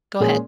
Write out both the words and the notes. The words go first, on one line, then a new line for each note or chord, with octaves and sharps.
Go ahead.
A#2 G#3 C#4 G#4